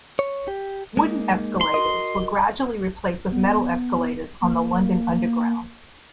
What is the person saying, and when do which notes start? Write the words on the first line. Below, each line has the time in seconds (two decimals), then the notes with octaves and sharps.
Wooden escalators were gradually replaced with metal escalators on the London Underground.
0.19 C#5
0.48 G4
0.97 G#3 A#3 D#4
1.61 C6
1.74 F#4 A#4 D#5
3.31 B3
4.41 A#3